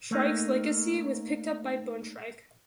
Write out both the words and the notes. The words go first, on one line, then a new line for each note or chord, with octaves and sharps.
Shrike's legacy was picked up by Boone - Shrike.
A3 A#3 D#4